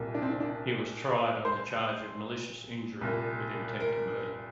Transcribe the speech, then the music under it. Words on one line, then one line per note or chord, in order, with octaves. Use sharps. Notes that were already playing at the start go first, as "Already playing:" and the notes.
He was tried on the charge of malicious injury with intent to murder.
Already playing: C2 A#2
D4
C4
D4
D4
C5
C2 A#2
A#4